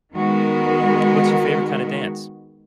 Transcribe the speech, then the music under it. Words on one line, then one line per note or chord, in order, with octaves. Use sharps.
what's your favorite kind of dance?
D#3 G#3 B3 F#4 A#4